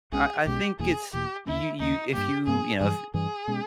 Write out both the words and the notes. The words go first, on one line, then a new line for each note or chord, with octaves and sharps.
I I think it's you you if you you know, f
B1 B2 G#3 C#4 G#4
B1 B2 G#3 C#4 G4
E1 E2 B2 A#3 G#4
E1 E2 B2 A#3 G4
D#2 D#3 A#3 C#4 E4
D#2 D#3 A#3 C#4 D#4
G2 G3 A#3 G4
G2 G3 A#3 G#4
G2 E3 G3 G#4
G2 E3 G3 G#4
B2 G#3 C#4